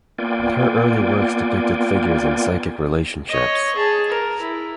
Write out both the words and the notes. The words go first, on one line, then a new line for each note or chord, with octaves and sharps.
Her early works depicted figures in psychic relationships.
A#3 B3 F4 D5 G5 G#5
C#5 D#5
G#4 A5
A#4
E4